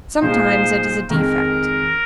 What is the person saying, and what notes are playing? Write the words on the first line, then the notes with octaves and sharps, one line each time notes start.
Sometimes it is a defect.
A#2 F3 G#3 D#4 C5
F2 D#3 G#3 A#4